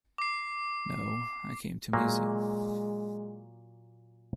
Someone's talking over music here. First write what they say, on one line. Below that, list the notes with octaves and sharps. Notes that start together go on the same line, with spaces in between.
No; I came to amuse you.
D6 C7
A#2 F#3 G#3 A#3